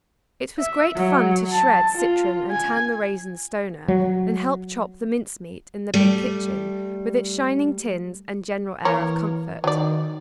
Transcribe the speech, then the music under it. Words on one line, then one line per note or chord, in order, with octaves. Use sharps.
It was great fun to shred citron and turn the raisin-stoner, and help chop the mince-meat, in the big kitchen, with its shining tins, and general air of comfort.
E5
F#3
A5
F4
G#5
F#3
G3 A3
E3 A#3 A#4 C#5
D#3 F#3 D5